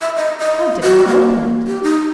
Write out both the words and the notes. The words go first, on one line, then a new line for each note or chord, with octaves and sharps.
I did not open it.
E5
D#5
D#5
F#4
A#3
G4
D#4